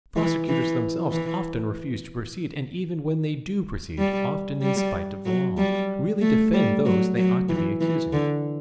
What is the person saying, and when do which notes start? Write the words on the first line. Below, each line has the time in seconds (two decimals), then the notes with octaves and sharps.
The prosecutors themselves often refuse to proceed, and even when they do proceed, often in spite of the law, really defend those they ought to be accusing.
0.16 E3
0.48 E3
1.12 E3
3.99 G3
4.62 G3
5.26 F#3
5.58 G3
6.21 A3
6.54 G3
6.85 F#3
7.17 F#3
7.49 E3
7.81 E3
8.13 D3